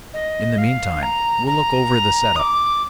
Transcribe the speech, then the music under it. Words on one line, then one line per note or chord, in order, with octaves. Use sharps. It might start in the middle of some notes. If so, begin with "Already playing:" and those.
In the meantime, we'll look over the set-up.
D#5
F5
A#5
A#5
D#6
D6